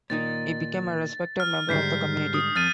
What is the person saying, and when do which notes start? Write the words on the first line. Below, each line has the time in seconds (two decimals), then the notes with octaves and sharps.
He became a respected member of the community.
0.10 A#2 D#3 D#4 A6
1.40 F6
1.69 G#2 D3 G3 G6 B6 C7
2.34 D#6
2.56 F2 F6 A6 D#7